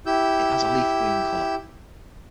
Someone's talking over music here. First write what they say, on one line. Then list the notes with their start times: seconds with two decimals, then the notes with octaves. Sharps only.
It has a leaf green color.
0.06 E4 G4 E6 G6